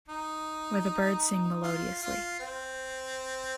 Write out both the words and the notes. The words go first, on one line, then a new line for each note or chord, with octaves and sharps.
Where the birds sing melodiously.
D#4
F4
F4
C4